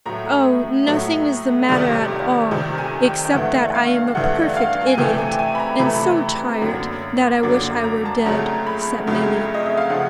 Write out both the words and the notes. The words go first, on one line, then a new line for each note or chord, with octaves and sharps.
"Oh, nothing is the matter at all, except that I am a perfect idiot, and so tired that I wish I were dead," said Milly.
A2 F#3 A3 A#5
A2 F#3 A3
F2 C3 D#3 G3
F2 C3 D#3 G3
G#5
G5
G5
G2 E3 A3 F#5
F5
G2 E3 A3 F#5
F5
G#5
C3 E3 A3 G5
G#5
G#5
B5
A#5
C3 E3 A3 B5
F#2 D3 F#3 A#3
F#2 D3 F#3 A#3 D6
A#5
A5
F2 C#3 F#3 A3 A#5
B5
F2 C#3 F#3 A3
D#5
E5
F5
C#3 F3 A3 F#5